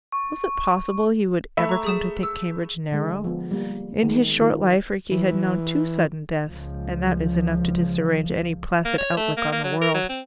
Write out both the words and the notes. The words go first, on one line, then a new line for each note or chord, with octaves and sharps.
Was it possible he would ever come to think Cambridge narrow? In his short life Rickie had known two sudden deaths, and that is enough to disarrange any placid outlook on the world.
C#6
A3 E5 B5
A#5 C#6
G#4 D#6 E7
E6
D3 G#3
F3 B3
G3 A#3
D#3 G#3 B3
D#3 F4
E3
C#2 F3
A#3
C#5
A3
A#3
A#3
F#3
A#4
F#3
C4